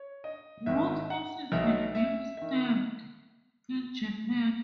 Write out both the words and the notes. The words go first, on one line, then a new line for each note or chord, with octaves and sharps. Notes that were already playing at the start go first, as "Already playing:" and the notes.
Both horses had been stabled in Japan.
Already playing: C#5
D#5
G#1 G#2 D#3 E5
F#5
B1 B2 E5
E5
D#3 E5